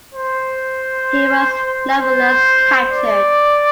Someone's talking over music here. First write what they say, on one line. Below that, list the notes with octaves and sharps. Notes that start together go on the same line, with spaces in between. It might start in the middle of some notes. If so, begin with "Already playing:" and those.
He was nevertheless captured.
C5
C5
D5